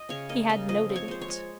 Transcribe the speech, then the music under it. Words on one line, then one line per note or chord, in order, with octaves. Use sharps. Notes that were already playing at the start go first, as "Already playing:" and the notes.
He had noted it.
Already playing: D#5
C#3 C#5
A#3 D#5
C#3 D#5
F3 D#5
C4
C#5
G#3 C5
C#5
G#3